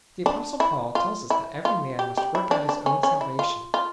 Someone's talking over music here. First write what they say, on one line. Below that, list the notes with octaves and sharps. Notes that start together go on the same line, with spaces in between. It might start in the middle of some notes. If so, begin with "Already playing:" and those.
The Apostle Paul tells us that every man must work out his own salvation.
D4
E4
F4
E4
F4
G4
G4
E4
D4
D4
C#4
C#4
E4
F4
F4